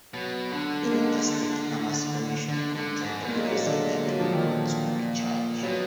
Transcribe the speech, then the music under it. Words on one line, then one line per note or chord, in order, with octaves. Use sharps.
The Interstate Commerce Commission controlled the prices that railroads could charge.
B2 F#3
D3
A#3
G#3
D3
D3
G#2
B2
A#2 A#3
G#3
F#3
G#3
D3
F#3
F3
D#3
F3
B2 F#3